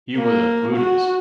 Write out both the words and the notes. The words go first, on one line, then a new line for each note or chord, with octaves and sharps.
He was a Buddhist.
A#3
F#4